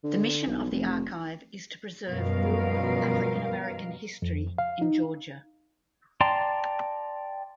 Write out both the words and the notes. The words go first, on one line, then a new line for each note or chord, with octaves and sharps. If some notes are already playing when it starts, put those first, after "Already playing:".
The mission of the archive is to preserve rural African American history in Georgia.
D3
B1
F1
F#2 B2 F3 G3 A#4 F5
F2
F5
D#4
D5 G5 A5 A#5 C6